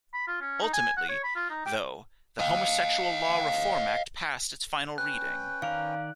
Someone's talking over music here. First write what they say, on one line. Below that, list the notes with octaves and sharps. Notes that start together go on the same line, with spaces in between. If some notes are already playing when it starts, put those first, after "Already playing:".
Ultimately, though, the Homosexual Law Reform Act passed its final reading.
B5
F4
C#4
D#4
G#5
F#5
C#5
B5
F4
D#4
G5
D#5 F5
C#4 B4 G5 F#6
D#3 D5 F5 A#5